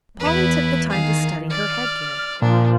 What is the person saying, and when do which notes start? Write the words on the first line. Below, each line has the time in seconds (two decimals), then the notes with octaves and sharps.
Polly took the time to study her headgear.
0.20 E2 E4 B4
0.90 D#3 G#4 F5
1.50 D5 F6
2.42 A#2 F3 D4